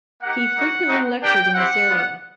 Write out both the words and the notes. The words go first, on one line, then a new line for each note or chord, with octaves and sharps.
He frequently lectured in this area.
A#3 D#4 G4 F#5
A#3 D#4 F#4
A3 C4 D#4 F#4
A#3 D4 G4 G5
C4 E4 G4 F#5
B3 D4 F4